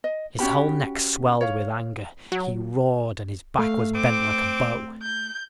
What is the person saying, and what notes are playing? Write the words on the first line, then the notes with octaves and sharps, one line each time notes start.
His whole neck swelled with anger; he roared, and his back was bent like a bow.
D#5
C#4 F#4 G4 B5
C#5 F5
F#3
A3 F5
C4 D6
G6